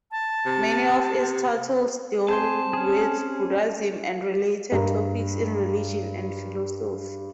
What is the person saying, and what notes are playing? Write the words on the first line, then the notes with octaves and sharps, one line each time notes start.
Many of its titles deal with Buddhism and related topics in religion and philosophy.
A5
C3
C4 G#4 C5 A5 C6
C#4 G#4
G2 A#4 A#5